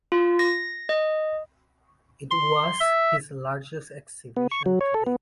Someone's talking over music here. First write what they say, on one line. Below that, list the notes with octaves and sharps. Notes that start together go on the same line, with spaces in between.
It was his largest exhibition to date.
F4
A#6
D#5
C6
E5
B3
C#6
F#3
C#5
A4
B3